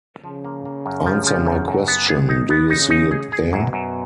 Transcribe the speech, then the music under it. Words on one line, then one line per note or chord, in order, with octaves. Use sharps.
Answer my question. Do you see it there?
C#3 F3
A#3
A#3
F#2
F3
F3
F#2
F#2
B3
G#4
D#4
B3
C#3 D#4
D#4
G#4
G#4
F#2 B2
F#2